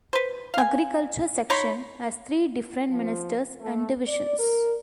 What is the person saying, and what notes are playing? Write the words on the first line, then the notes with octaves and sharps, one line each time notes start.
Agriculture section has three different ministers and divisions.
B4 C5
F5 G#5
D#4 C#5 B5 C6
F3
A3
D5
A#4